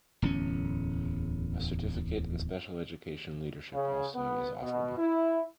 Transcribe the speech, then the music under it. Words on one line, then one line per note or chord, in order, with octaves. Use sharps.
A certificate in Special Education Leadership also is offered.
D1 E2 G3 C#4
C#3
B3
B2
E4